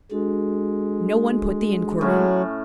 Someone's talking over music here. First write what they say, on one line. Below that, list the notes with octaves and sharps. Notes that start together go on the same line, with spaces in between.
No one put the inquiry.
G#3 D4 F#4 A4
A2 F#3 C#4 B5